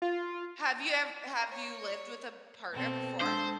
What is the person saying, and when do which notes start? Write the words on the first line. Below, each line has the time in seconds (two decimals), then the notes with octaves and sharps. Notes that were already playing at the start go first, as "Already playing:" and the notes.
Have you ev have you lived with a partner before?
0.02 F4
1.51 C#5
2.73 B2 C4 A4 C5
3.22 G#3 D4 A4 C5 A5 E6